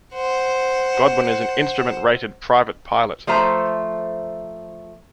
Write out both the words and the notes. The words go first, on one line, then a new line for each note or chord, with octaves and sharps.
Godwin is an instrument rated private pilot.
C5 F#5
F3 A3 C5 E5 A#5